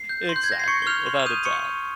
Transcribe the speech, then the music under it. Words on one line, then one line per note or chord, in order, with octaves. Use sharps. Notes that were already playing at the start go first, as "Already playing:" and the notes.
exactly, without a doubt.
Already playing: C7
G6
C6
G6
G#6
G6 A#6
C7
C6 C#6 C#7
G7
F6 G6 F7
C6
F7
D#6 G6 D#7
C6 C#6 C#7
F6